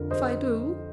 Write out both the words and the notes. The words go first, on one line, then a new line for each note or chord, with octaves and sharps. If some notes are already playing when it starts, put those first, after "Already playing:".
"If I do?"
Already playing: F2 D3 F3 A#4
C5 D#5